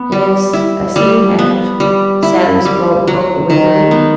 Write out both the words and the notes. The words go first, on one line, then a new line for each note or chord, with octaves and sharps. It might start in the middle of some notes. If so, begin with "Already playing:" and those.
"Yes, I see you have," sadly spoke Uncle Wiggily.
Already playing: B3
G3
E4
G3
B3
G3
E4
G3
F#3
D#3
B3